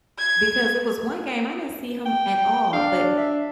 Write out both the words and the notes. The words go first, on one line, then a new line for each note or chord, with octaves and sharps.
because it was one game, I didn't see him at all, but
G#6
G5
D4 F5
E5